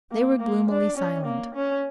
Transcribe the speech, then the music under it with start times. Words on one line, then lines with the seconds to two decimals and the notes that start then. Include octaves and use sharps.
They were gloomily silent.
0.12 A#3
0.41 A#3
0.70 D4
0.97 C#4
1.26 A#3
1.55 C#4